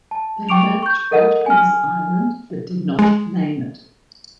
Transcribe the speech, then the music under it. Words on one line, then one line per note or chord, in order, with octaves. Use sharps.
They mapped Watkins Island but did not name it.
A5
G5 C#6 D6 D7 F7
C#6 G6
A4 A#4 D#5 F#5 D#7
G#5 F6
G#3